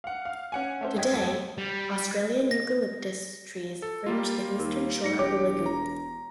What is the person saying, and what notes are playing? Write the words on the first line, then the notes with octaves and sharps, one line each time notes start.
Today, Australian eucalyptus trees fringe the eastern shore of the lagoon.
F5 F#5
F5
C#4 F#5 G#5
A3 C#4 C5
G2 A3 D#5 G5 G#6 B6
F2 A4
G3
A#6
A4
G3 A#3 F4
D#2 A#4
G#2 A#6 C#7
E1 G4 C#5 D6
A#5